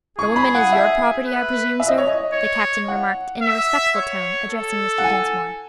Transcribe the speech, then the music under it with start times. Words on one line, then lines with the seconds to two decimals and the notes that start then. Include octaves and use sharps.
"The woman is your property, I presume, sir?" the captain remarked in a respectful tone, addressing Mr. Dinsmore.
0.18 G#4 C#6
0.36 B5
0.55 F#5
0.72 E5
1.25 B4
1.80 E5
1.88 D#5
1.98 C#5
2.07 D#5
2.33 C#5
2.88 F#5
3.42 E5
3.95 C#5
4.49 A4
4.98 F#5
5.04 G#5